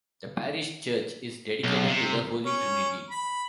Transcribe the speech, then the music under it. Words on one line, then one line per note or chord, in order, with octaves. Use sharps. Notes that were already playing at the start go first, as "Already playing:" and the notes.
The parish church is dedicated to the Holy Trinity.
B1
C3
C#4
B5